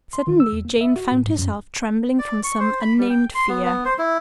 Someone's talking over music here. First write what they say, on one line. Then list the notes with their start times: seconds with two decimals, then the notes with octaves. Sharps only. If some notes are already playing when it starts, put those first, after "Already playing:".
Suddenly Jane found herself trembling from some unnamed fear.
0.13 C6
0.27 D#3
0.40 E6
0.52 E2
0.65 A#3
0.81 E5
0.96 F#4
1.11 A2
1.27 G#2
1.39 F#2
2.19 D5
2.44 C#6
2.60 C5
2.81 B5
2.98 G3
3.10 G5
3.35 C6
3.49 B3
3.64 B3
3.85 C5
3.98 E4